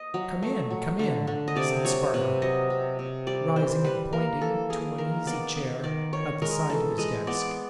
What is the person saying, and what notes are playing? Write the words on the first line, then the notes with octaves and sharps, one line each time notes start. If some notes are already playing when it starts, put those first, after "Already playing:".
"Come in, come in!" said Spargo, rising and pointing to an easy-chair at the side of his desk.
Already playing: D#5
F#3
A3
F#3
D3
D3
D#5
C3 D5
F#3 C#5
C3 B4
F#3 D#5
C3
C3
G3 D5
E3 C5
G3 B4
A#3 A#4
E3 A4
A#3 G#4
D#3 A#4
B3 D5
B3
D#3 D5
D#3 C#5
G#3 A#4
E3 A4
G#3 D#5
B3 D5